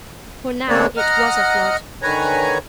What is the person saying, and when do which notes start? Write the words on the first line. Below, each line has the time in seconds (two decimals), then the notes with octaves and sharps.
For now it was a flood.
0.69 C#3 A#3 C4 D4 C#5 D5
0.97 D#5 F#5 A#5 F6
2.02 D3 D#3 B4 C#5 G#5 A#5